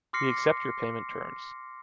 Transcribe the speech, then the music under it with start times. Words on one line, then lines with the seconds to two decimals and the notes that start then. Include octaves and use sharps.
We accept your payment terms.
0.13 C6 D6 F6 A#6 C7 C#7